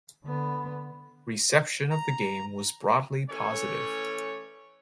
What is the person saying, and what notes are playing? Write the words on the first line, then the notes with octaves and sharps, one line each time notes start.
Reception of the game was broadly positive.
D3 B3
A#5
E3 A3 C#4 C#5 D5